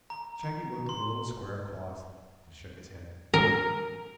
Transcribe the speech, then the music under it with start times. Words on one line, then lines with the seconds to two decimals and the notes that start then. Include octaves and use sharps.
Shaggy looked at the little square of cloth and shook his head.
0.10 A#5
0.43 A#5
0.89 C6
3.34 A#4